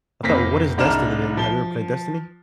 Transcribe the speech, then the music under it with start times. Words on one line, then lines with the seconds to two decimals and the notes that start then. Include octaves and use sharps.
I thought what is Destiny then? Have you ever played Destiny?
0.23 F1 A#3 C4 B4 A#6 B6
0.78 C2 G#2 D4 A#5 F6 E7
1.37 F3 G7